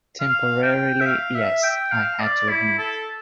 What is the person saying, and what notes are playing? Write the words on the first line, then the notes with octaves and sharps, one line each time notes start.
"Temporarily, yes," I had to admit.
F5
G5
E5
F5
E5
G5
F5
D5
E4
A4